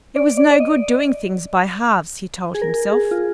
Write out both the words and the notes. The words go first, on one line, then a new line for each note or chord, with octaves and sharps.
It was no good doing things by halves, he told himself.
D5
D5
D5
D#5
G#4
A#4
G#4
F4